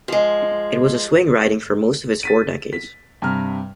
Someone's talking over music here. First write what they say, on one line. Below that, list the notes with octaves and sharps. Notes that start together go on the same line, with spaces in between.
It was a swing riding for most of its first four decades.
F3 G#3
A6 B6 D#7
B6
G2 C3 A#5 F6